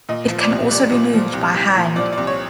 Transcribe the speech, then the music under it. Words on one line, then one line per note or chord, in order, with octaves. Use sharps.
It can also be moved by hand.
A#2 D#5
F3
D5
C2
C2 D5
A#2
F3
C2
C2
A#2
F3 D5
D5
C2
C#5